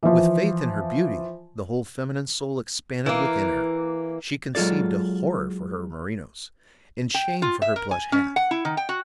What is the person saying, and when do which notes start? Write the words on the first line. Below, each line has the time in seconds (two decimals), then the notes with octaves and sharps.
With faith in her beauty, the whole feminine soul expanded within her. She conceived a horror for her merinos, and shame for her plush hat.
0.03 E3 F3
3.06 E3 A#3
4.55 F#3 G#3 F4 A4 D5
7.14 G5
7.42 F4
7.62 E5
7.76 A#4
7.91 G#5
8.12 C#4
8.36 F#5
8.51 E4
8.65 D#3
8.77 G5
8.89 F#4